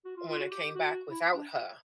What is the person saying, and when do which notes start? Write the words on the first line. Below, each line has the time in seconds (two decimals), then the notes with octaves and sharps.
when I came back without her,
0.05 F#4
0.16 F4
0.27 F4
0.39 F#4
0.51 G4
0.63 G4
0.75 F#4
1.10 E4
1.34 D4